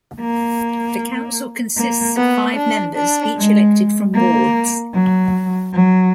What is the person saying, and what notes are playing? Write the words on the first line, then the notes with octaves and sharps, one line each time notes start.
The council consists of five members each elected from wards.
A#3
A#3
B3
D4
D4
G#3
A#3
F#3
F#3